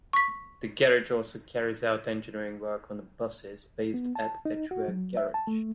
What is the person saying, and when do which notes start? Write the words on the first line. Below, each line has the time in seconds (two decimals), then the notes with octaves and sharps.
The garage also carries out engineering work on buses based at Edgware garage.
0.13 C#6 B6
3.94 B3
4.15 A5
4.45 D#4
4.71 F#4
4.88 F#3
5.17 E5
5.34 A5
5.47 A3